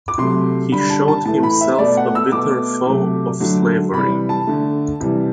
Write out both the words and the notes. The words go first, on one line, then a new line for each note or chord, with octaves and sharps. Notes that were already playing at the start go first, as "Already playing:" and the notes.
He showed himself a bitter foe of slavery.
D6
C3 F#3 A3 C6
D3 G3 B5
A5
A5
A2 E3 A3 A5
B5
E5
B2 A3 D5
F#5
E6
B2 A3 D6
C3 F#3 A3
D3 F#3 A3
C3 E3 G3 B5
A5
D3 A3
C3 E3 G3